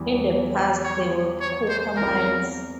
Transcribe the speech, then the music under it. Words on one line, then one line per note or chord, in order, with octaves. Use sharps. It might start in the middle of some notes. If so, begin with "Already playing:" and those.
In the past there were copper mines.
Already playing: E2 E3 G3
C#5
C#5
C5
E2 E3 G#3 C4 F4 A#4